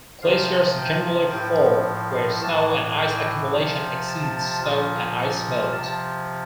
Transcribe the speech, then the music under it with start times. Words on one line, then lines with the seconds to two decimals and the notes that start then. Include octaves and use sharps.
Glaciers generally form where snow and ice accumulation exceeds snow and ice melt.
0.22 C3 F3 F5
0.77 G5
1.32 A2 F3 G5
2.42 A2 E3 A5
2.97 G5
3.52 C3 F3
4.07 A5
4.62 A#2 F3
5.72 C3 F3 A5